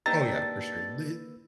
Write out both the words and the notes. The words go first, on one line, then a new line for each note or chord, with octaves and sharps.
Oh, yeah, for sure. The
A#3 D4 D#4 G4 B4 A#5 E6 A6